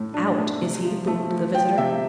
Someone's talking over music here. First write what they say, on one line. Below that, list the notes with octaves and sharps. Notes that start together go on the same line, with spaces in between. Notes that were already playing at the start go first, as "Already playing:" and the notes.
"Out, is he?" boomed the visitor.
Already playing: A2 A3
D4
A3
C3
F3
A3
F3
F3 G5
C3 E5